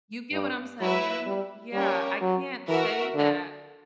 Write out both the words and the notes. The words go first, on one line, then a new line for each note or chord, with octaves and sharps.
You get what I'm saying? Yeah, I can't say that,
G2
F#3 E4 B4 E5
G3
G3 A#3 C#4 G4 A#4 C#5
F#3
E3 F#4 A#4 E5
D3